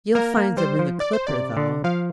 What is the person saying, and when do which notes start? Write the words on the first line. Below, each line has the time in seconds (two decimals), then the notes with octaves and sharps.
You'll find them in the 'Clipper,' though.
0.15 A#3 A#4
0.37 A#3
0.57 G3 C5
0.79 F3
1.00 D5
1.13 C5
1.27 C3 D5
1.57 D3
1.84 F3 F5